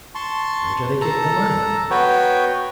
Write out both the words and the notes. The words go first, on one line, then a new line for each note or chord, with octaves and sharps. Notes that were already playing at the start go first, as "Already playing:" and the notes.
"Where do they get the money?"
A5 C6 C#6
A4 A5 A#5
B3 F#4 B4 C#5 G5